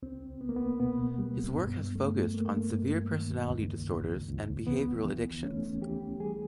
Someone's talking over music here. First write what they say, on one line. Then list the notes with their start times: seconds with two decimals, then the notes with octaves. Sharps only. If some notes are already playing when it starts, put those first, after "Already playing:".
His work has focused on severe personality disorders and behavioral addictions.
0.03 C#2 C4
0.41 C#2 B3
0.49 A#3
0.56 B3
0.80 B2 B3
1.19 G3
1.57 G2
1.96 A3
2.34 A3 A#3
2.73 G2
3.11 D#3
3.50 C#2
3.89 C#2
4.27 C#2
4.66 E3 B3
5.05 E3
5.44 A3 C#4
5.82 E3 G4
6.20 G3 G#4